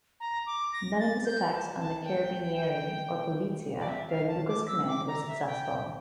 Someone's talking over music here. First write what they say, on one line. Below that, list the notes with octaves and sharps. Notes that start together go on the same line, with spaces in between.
None of his attacks on the Carabinieri or Polizia during Luca's command were successful.
A#5
D6
A#6
A6
G6
A5
A5
G5
D5
E5
F5
A5
D6
E6
D6
A#5
E5
G5